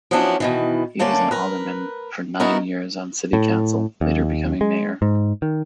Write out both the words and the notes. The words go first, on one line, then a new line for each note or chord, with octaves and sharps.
He was an alderman for nine years on city council, later becoming mayor.
F3 F#3 B3 C#4 D4 E4
B2 D#3 E3
D3 A3 A#3 C#4 D5
A#4 B4
B3 D#4 E4 F#4 A#4 B4
A2
D#2
G#3
G#2
D#3